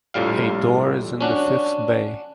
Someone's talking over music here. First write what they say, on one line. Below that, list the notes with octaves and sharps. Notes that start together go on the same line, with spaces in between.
A door is in the fifth bay.
A#1 F2 A2 G3 F5
C#4 D4 F#4